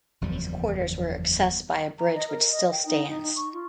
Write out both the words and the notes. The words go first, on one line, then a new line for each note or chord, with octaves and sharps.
These quarters were accessed by a bridge which still stands.
F#1 E2 F3 G3
A#5
D#5
A#4
D#5
G5
D#4
D#4
D#4
C#6
F4